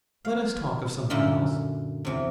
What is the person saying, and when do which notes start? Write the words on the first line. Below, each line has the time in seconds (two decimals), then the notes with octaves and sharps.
Let us talk of something else.'
0.25 F5
1.10 F#2 A#2 D3 E4 F4
2.05 E2 C3